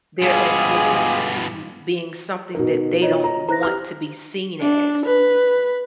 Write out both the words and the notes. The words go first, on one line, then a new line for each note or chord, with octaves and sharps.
they're admitting to being something that they don't want to be seen as.
G2 B2 G#3 F4 G4 G#4
B2 D#4 A#4
F4 C#5 D#5
A#5
E4 B4 C5 A#5 F#6 A#6
G4 F6
D4
B4